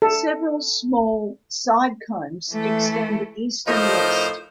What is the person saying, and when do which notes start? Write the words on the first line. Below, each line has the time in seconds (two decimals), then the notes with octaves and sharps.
Several small side combes extend east and west.
0.02 A4
2.52 E3 A3
3.67 A2 F3 D#4 A#4 C5